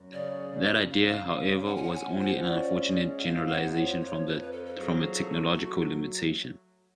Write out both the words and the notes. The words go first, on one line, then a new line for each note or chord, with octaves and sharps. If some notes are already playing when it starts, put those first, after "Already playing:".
That idea, however, was only an unfortunate generalization from a technological limitation.
Already playing: F#2
C#3 D5
C#3
C#3 F5
C#4
F3 F#5
G#5
F#5
G#5
F3
F#5
C#4 D5
G#3
F#5
F2 F5
F#5
F3
C#5
F2 C#5
B4
C#5
F3 B4
A4
A4
F#3 G#4
A3
F#3 F#4